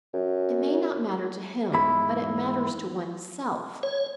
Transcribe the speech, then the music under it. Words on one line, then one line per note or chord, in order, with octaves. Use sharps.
"It may not matter to him, but it matters to one's self."
F#2
E2 G#2 E4 B5
C#5